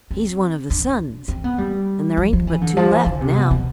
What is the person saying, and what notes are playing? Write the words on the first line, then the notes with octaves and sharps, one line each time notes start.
"He's one of the sons, and there ain't but two left now."
C4
D4
C4
B3
G3
F3
F3
E3
D3
F3
E3
D3
C3
B2
B2